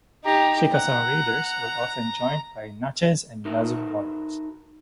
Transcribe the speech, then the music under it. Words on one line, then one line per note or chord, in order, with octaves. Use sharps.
Chickasaw raiders were often joined by Natchez and Yazoo warriors.
D#4 G4 A#5
F#5 A#5
D#4 F#4 A4 A#4 E5